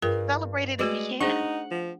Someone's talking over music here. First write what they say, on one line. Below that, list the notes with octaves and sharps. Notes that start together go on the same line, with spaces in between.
celebrate it if you can.
G2 F4 G#4 A#4
G#3 A3 F#4 B4 D5
D4 D#4 G#4 C5 F#5
F3